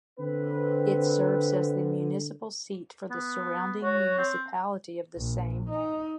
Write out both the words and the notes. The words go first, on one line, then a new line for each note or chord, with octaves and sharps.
It serves as the municipal seat for the surrounding municipality of the same name.
D3 C4 B4
B3
F#4 C#5
C4
A#1
D#4